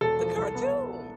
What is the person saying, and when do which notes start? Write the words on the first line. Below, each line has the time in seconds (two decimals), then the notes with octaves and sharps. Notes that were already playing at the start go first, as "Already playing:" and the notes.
The cartoon.
0.01 E1 A4
0.19 F3
0.37 C2
0.55 B3